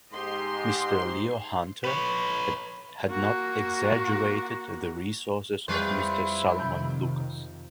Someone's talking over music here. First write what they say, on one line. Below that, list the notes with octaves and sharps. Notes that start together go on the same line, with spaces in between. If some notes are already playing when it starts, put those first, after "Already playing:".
Mr. Leo Hunter had not exaggerated the resources of Mr. Solomon Lucas.
G#2 G4 D#5 C6
B4 C#5
A#3 F#4
F2 G3 E4 B4 C5 D5 G6
C3 D#3 G6